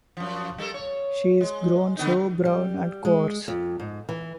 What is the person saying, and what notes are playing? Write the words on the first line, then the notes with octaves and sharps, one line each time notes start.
She is grown so brown and coarse!
F#2 F3
G3 A4 A#4
C#5
G#3
D3 B3 D#4
G3
G#3
F2
G#2
E3